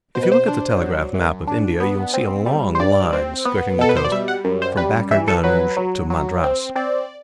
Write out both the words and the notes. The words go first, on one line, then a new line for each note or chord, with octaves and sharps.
If you look at the telegraph-map of India you will see a long line skirting the coast from Backergunge to Madras.
B2 C5
B4
C5
D4
F#3
F#2
D4
B3
C4
G3
C5
G2 D5
C4
B3
B2 A4
B4
C5
D5
G3 E5
F#5
F#2
C5
G3 B4
E3 E5
A4
F#3 B4
F#3
F#3
C4
C4 D5